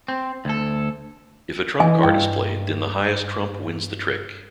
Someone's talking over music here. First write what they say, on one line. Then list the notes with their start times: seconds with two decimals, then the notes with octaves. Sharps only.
If a trump card is played then the highest trump wins the trick.
0.08 C4
0.45 D2 A4
1.80 E3 D#5 G#5
2.03 G2 G5